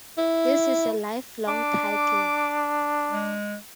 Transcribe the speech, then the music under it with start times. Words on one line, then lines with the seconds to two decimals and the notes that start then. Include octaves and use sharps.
This is a lifelong title.
0.18 E4
1.48 D4 D6
3.11 G#3